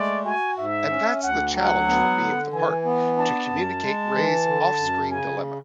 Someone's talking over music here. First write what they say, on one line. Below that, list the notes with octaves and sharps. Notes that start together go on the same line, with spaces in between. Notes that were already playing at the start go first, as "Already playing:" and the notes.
And that's the challenge for me of the part: to communicate Ray's offscreen dilemma.
Already playing: G#3 A3 D5
F#4 G#5
G#2 E5
C#4
D2 F#5
F#3 F#5
B3
D3
E3 G#5
B3
D4 A5
F#2
G#3
E3
D3
F#2
C#3 G#5